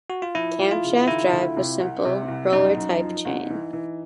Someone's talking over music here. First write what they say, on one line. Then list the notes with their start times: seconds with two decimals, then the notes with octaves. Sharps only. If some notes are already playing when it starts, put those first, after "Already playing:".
Camshaft drive was simple roller-type chain.
0.10 F#4
0.22 F4
0.35 F3 E4
0.59 F3
0.71 F4
0.84 C#3
1.07 D#3 E4
1.32 D2
1.56 C3
1.80 C2
2.05 C3
2.28 C2
2.53 F#2 D#4
2.77 F#2
3.01 F3
3.25 C2
3.50 E3
3.73 E3